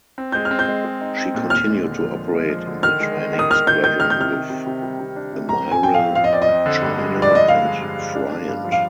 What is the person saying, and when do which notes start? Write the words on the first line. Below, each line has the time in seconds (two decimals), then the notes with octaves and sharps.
She continued to operate in the training squadron with "Amiral Charner" and "Friant".
0.18 C4
0.32 G#3 G6
0.45 F6
0.51 C4
0.59 G6
0.68 G#3
0.84 G#3
1.01 D#4
1.17 C4
1.34 A#2
1.50 D#2 F6
1.67 G#3
1.84 D3
2.01 F3
2.17 D3
2.34 G#3
2.50 F3
2.67 D3
2.83 D#3 F6
3.00 G#3
3.17 D#3
3.33 D#3
3.39 D#6
3.50 D#3 F6
3.67 D#3 G6
3.83 D#3 G6
4.00 D#3 F6
4.10 G6
4.16 C3 F6
4.33 C3
4.50 C3
4.67 C3
4.83 G3
5.00 C3
5.16 D4
5.33 C3
5.49 F2 A#5
5.66 C4
5.71 G#5
5.83 C4 G5
5.94 F2 F5
6.15 F3 F5
6.24 D#5
6.33 C4 D5
6.42 D#5
6.49 F2
6.66 D3
6.82 G2
6.98 G#3
7.16 F3
7.22 D5
7.32 G2 D#5
7.48 G#3 F5
7.65 G#3
7.82 G2
7.98 G#3
8.15 D4
8.32 D4
8.48 G2
8.65 F3
8.72 F5